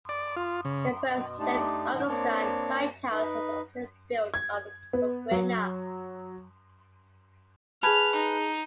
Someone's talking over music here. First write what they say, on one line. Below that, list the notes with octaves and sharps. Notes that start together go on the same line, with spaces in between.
The first Saint Augustine Lighthouse was also built of coquina.
D5
F4
C#3
B2
A3 D4 D#4 G4 D5
A2 D3 F3 D#4
A#3 C4 D4 C#5 D5
D#4 B4
G#6
B3
F#3
G#4 B4 G#5 A5 F6
D#4